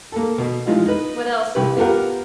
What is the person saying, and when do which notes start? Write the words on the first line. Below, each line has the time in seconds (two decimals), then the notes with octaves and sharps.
"What else is there?"
0.12 A#3 A4
0.38 B2
0.66 E3 F3 G#3 D#4 F4
0.86 D#4 B4
1.55 C2 G4 B4
1.77 B3 F4 G4 A#4 F#5